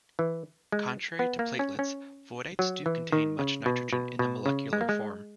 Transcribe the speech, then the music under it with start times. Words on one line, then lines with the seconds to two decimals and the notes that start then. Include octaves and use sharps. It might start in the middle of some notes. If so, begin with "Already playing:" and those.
Contrary to platelets, voidites do contain much nitrogen, in the molecular form.
0.19 E3
0.72 G#3
1.19 B3
1.39 A#3
1.59 C#4
1.79 C#4
2.59 F#3
2.86 E3
3.12 D#3
3.39 C#3
3.66 B2
3.93 B2
4.19 B2
4.46 C#3
4.73 G#3
4.81 A#3
4.89 G#3